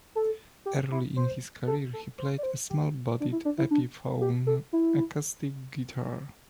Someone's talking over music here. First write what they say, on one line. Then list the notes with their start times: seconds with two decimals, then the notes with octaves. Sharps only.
Early in his career he played a small-bodied Epiphone acoustic guitar.
0.15 A4
0.66 G4
0.91 E4
1.16 C5
1.67 A4
1.93 A4
2.18 C5
2.38 D5
2.43 C5
2.70 G4
3.20 D4
3.32 E4
3.45 D4
3.58 E4
3.71 D4
4.21 G4
4.47 A4
4.73 E4